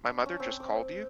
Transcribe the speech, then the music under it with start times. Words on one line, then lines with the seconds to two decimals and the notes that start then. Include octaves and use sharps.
My mother just called you?
0.05 D4
0.26 C#4
0.40 C4
0.60 D6